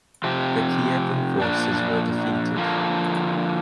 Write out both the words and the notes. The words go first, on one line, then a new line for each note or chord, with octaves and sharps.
The Kievan forces were defeated.
C3 F3 C4 G4
A#2 F3 D4
D3 F3 A#3